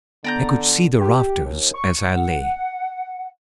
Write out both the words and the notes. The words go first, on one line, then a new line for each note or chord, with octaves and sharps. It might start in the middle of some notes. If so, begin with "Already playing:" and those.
I could see the rafters as I lay.
D3 B3 D5 A#5 G6 A#6
G4
D#2
C#6
F#5